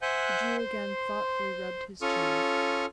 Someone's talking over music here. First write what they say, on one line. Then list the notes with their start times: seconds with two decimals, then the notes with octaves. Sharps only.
The Jew again thoughtfully rubbed his chin.
0.02 C5 E5 F#5 G#5 F#6 G6
0.58 C5 C6
2.02 C#4 F4 A4 C#6 D#6 F6